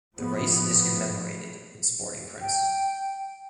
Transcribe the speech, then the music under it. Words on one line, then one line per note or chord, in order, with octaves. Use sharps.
The race is commemorated in sporting prints.
A2 F3 B3
G5